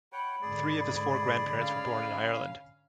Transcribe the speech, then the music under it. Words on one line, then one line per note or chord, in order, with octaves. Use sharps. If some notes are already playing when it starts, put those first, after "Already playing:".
Three of his four grandparents were born in Ireland.
C#5 F#5 G5 B5
G#2 D3 G#4 D5
C#4 F5